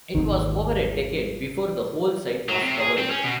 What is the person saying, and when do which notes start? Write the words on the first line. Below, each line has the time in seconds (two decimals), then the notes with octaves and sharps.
It was over a decade before the whole site was covered.
0.15 G#1 D#2 D#3
2.49 F#3
2.62 C3
2.80 G#4
2.98 C4
3.11 C#4
3.24 B2